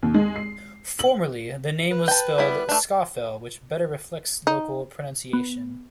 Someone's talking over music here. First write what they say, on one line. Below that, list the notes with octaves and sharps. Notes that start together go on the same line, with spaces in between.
Formerly the name was spelled "Scawfell", which better reflects local pronunciation.
D#2
G#3
C7
F#7
B4
G5 A5
G3 B3 E4
A3 D4
D#4
B3